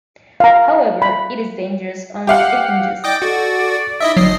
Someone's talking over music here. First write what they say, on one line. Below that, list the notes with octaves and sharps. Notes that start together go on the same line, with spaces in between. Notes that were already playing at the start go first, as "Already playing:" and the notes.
However, it is dangerous only if ingested.
F5 A#5
B5
G4 F5 F#5
E4 D5 D#5 G5 D6
F#4 A4
D#4 E4 D#5 E5
G1 F#3 D#5 C7